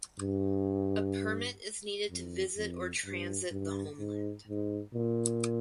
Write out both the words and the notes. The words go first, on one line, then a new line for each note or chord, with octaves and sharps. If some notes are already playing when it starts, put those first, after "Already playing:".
A permit is needed to visit or transit the homeland.
G2
F2
F2
G2
G2
G#2
G#2
A#2